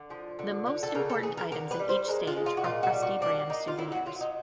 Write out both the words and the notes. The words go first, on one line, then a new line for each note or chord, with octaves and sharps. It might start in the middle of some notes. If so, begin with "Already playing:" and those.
The most important items in each stage are Krusty-brand souvenirs.
Already playing: D3
F3
D3
D3
A4
C#3 A#4
A4
E3 G#4
A#4
D3 A#4
B4
G3
C5
G#3 A#4
F4
G#3
F4
F#4
A#2 F4
F#4
G3
F#4
A#3 D4
A#3 D#4
F4
F#3 E4
F#4
F#3 F4
D#4